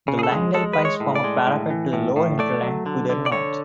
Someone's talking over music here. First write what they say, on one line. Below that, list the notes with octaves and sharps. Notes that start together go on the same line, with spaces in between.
The Langdale Pikes form a parapet to the lower hinterland to their north.
C#3
G#4
A4
G#3
G#3 A4
G#3 B4
C#5
A2
D5
G#3
A2
E3
A2
A2
A3 D5
F#3
D3
D3
D5
D3 C#5